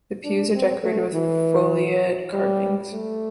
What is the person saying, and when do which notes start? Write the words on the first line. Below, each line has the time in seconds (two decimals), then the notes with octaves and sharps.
The pews are decorated with foliate carvings.
0.24 D4
0.54 C4
0.84 A3
1.14 E3
2.33 G3
2.93 A3